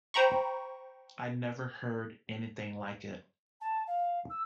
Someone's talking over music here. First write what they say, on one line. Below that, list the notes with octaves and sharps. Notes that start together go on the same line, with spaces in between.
I never heard anything like it.
C5 G5 A#5 B5 C#6
A5
F5
E6